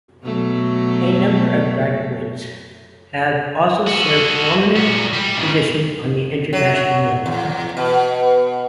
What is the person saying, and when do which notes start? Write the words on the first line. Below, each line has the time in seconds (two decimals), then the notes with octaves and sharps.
A number of graduates have also served prominent positions on the international level.
0.22 B2 F#3 A3
3.87 F#4 A4
4.76 A#2 F#4
5.13 G3
5.37 G#2 C#3
6.53 F#3
7.26 E2
7.77 B2